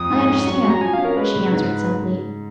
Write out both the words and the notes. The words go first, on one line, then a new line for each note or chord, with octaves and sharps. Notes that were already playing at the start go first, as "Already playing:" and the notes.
"I understand," she answered simply.
Already playing: F2 D#6
G#2
C#4
F#3 C#6
C#6
F#4
A#5
F3 G#5
C#4 F5
A#4
G#3 B4
C#3
G#2